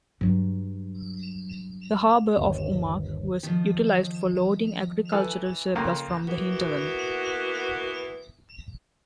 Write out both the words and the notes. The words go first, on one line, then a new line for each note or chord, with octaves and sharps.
The harbour of Umag was utilised for loading agricultural surplus from the hinterland.
G2 F#3
G1 D#2
D#3 F3
E3 A4 G#5
F2 C#3 A#3
E3 A#3 B3 F#4